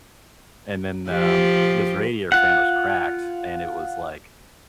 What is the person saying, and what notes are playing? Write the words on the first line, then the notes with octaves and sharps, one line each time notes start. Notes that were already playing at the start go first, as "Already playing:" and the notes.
and then, um, this radiator fan was cracked, and it was like,
F3 G4
F4 F#5